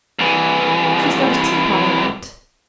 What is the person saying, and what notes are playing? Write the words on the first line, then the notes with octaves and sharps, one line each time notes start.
She's got a teapot I want.
C2 E3